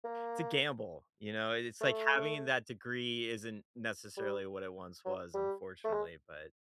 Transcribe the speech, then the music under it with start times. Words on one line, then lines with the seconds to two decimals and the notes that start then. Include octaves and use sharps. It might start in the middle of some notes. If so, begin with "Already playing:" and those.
it's a gamble. You know? It's like having that degree isn't necessarily what it once was, unfortunately. But
0.04 A#3
1.81 A3
4.17 G3
5.05 F#3
5.34 G3
5.85 A3
5.93 G#3